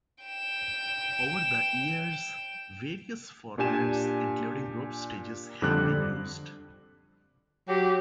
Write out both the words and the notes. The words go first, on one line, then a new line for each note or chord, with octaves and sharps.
Over the years, various formats, including group stages have been used.
G5 E7
A#2 D4 G4 G#5 E7
F2 D3 G3 D6 F#6
F#3 G4